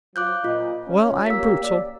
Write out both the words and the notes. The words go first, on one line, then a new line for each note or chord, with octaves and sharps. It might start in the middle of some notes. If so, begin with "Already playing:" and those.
Well, I'm brutal.
F#3 F4 C5 D6 F#6 G6
A#2 F4 D#5
C#4
A#3 G4 C#5 E6 B6
D5